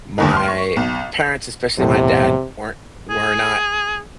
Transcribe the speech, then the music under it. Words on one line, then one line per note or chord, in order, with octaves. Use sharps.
my parents, especially my dad, weren't were not
F1 D#2 D3
C6 F6
C#6
B1
B1 E2 A2 C3
G#4